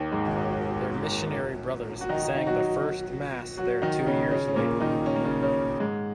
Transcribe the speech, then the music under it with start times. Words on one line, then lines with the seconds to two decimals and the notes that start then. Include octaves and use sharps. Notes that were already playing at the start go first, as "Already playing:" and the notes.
Their missionary brothers sang the first Mass there two years later.
Already playing: D#2 D#3
0.12 G#2 G#3
0.28 D#3
0.36 F#2 F#3
2.01 F#4
2.09 D#3 D#4
2.36 D#4
2.47 F#3 F#4
3.57 F#3 F#4
3.82 D#3 D#4
4.07 C#3 C#4
4.31 C#3 C#4
4.48 C#4
4.56 A#2 A#3
4.81 D#3 D#4
5.06 C#4
5.16 A#3
5.24 C#3 C#4
5.42 C#3 C#4
5.80 G#2 G#3